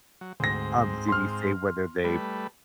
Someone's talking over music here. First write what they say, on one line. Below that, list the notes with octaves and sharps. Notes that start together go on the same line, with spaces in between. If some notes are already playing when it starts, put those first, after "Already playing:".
Um, did he say whether they
F#3
D2 G#2 C4 A#6
C6 F6
G3 A3 B4